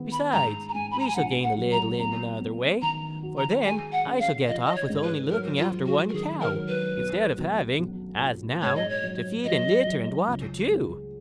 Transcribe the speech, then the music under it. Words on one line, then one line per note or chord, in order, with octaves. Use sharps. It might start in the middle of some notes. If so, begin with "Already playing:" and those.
Besides, we shall gain a little in another way, for then I shall get off with only looking after one cow, instead of having, as now, to feed and litter and water two.'
Already playing: D#3 G#3 B3
B5
G#2 A#5
A#5
G#2 G#5
B5
A#5
G#5
A#1 F#5
F#5
F#3
A#5
B3 A#5
B3
D#3 A#5
F#4
A#5
G#3 G#5
F#5
C#4
F5
F3 D#5
D#5
C#5
G#2
B4
F#3 A#4
F4
F#3
F#4
A#4
D#3 G#4
A#4
F#3
B4
B1
B1
B1
A#2
G#2 C#5
D#5
C#5
F#3
F#3 D#5
F#3
C#2
G#3